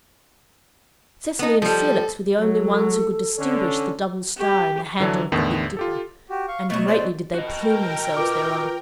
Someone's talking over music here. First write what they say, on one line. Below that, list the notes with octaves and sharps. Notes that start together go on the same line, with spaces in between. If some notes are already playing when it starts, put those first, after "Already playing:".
Cecily and Felix were the only ones who could distinguish the double star in the handle of the Big Dipper, and greatly did they plume themselves thereon.
B3 D#4
F3 G3 A4
F#3 A4
D3 C#4
G4
D3 E3 F#3 D4
E2 A2 D3 D#3
F4 G4 A4
F#4 G4
F5 C#6
B2 F#3 A3 C#6
C5 D5
F#4 A#4 D#5 G5
F4 B4 D6